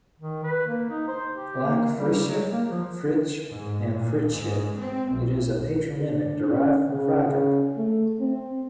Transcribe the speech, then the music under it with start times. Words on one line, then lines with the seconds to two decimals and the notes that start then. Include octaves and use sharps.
Like Fritsche, Fritzsch and Fritzsche, it is a patronymic derived from Friedrich.
0.20 D#3
0.44 B4
0.67 A#3
0.89 D#4
1.08 C5
1.34 G4
1.64 A#3
1.98 G3
2.13 C#3
2.25 F#3
2.52 A#3
2.69 F3
3.50 G#2
3.92 A#2
4.32 G#2
4.79 C4
5.12 B1
6.08 D4
6.45 C#4
6.91 C#3
7.22 C#3
7.77 A3
8.20 C4